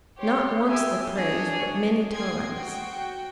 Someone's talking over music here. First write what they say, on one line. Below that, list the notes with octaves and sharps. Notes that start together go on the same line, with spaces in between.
Not once the praise, but many times.
G4 C#5 C6
G4 E5 G#5
D4 G#4 C#5
G5 G#5 C6 D#6 G#6 C7
F#4 G5